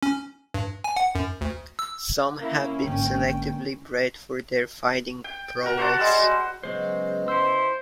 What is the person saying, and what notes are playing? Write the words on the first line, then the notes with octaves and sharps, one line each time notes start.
Some have been selectively bred for their fighting prowess.
C#4
G2
G#5
F#5
F#2
D2
E6
A#3 C#4 E4
G#1 D3 A#3 C4 G5
G5
F#4 A#4
F#4 C5 F#5 A5
G3 G#3
F#4
C#3 F#3 G#3 B3 C5 D#5
E4 C5 E6